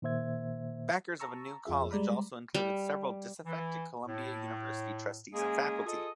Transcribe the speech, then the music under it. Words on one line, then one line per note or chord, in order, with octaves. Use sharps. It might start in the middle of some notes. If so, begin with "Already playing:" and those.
Backers of a new college also included several disaffected Columbia University trustees and faculty.
A#2 D#3 A#3 C5 E5 G#6
A5 A#5 C#6 E6
F2 F4 G#4 E5
G3 G#3 D5 A#5 B5
G3
E3
A2
G#3 A#3 C#4 G#4
F4 G#4 A4 D#5 D#6